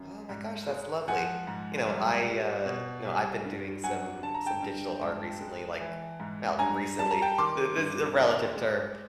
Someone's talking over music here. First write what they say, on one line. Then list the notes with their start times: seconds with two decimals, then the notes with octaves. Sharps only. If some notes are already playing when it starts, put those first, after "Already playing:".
Oh, my gosh, that's lovely. You know, I, uh, know, I've been doing some some digital art recently, like well, recently, th this is a relative term.
Already playing: F#2
0.29 G#2
0.69 G#3
1.08 F3 F#5 G#5
1.47 G#2
1.86 C2
2.27 G3
2.66 B2
3.05 C2
3.45 G2
3.84 F#3 F#5 G#5
4.23 D3 A5
4.34 A#5
4.46 G5 A5
4.62 G2
5.01 G#2
5.41 G#3
5.80 E3
6.20 G#2
6.59 G2 G#5 A#5
6.99 G3 A5
7.11 A#5
7.22 G5 A5
7.38 D#3 C6 D6
7.77 G2
8.17 D#2
8.56 G#3